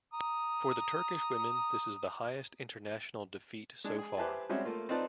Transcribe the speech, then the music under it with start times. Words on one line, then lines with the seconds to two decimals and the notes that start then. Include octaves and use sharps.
For the Turkish women this is the highest international defeat so far.
0.14 A#5 D#6
3.84 G#3 D4
3.99 G#4
4.17 G4 B4 C5 E5 G#5 A5
4.49 G3 G#3 C4 C#4 F#4 E5
4.65 A3 A#3 F4
4.89 C4 D#4 F4 B4 D5 A5